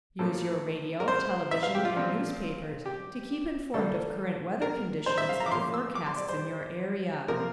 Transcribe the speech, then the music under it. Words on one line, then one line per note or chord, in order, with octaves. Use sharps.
Use your radio, television and newspapers to keep informed of current weather conditions and forecasts in your area.
A2 F3 A#3 A4
A#4
C5
E5
F5
G4
F4
A#2 F3 C4
G4
D3 G3 A#3 A4
A#4
C5
E5
F5
A#5
D6
A2 F3 A#3 C6
E6
D6
C6
D5
C5
C3 F3 A#3 A#4